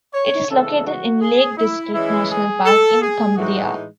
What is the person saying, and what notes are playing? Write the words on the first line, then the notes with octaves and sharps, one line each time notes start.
It is located in Lake District National Park, in Cumbria.
C#5
C#3 E3 G#3 A4
F#4
G#4
E4
E3 G#3 C#4 E4
G#4
A4
G#4
A2 E3 G#3 D#4 F#4